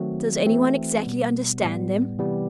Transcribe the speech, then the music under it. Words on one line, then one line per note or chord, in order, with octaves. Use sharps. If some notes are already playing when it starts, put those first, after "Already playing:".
Does any one exactly understand them?
Already playing: D#3 F#3 A3 C4 F#4
E3 A3 C4
B2 G3 B3
A2 G3 B3
C3 E3 G3 B3 G4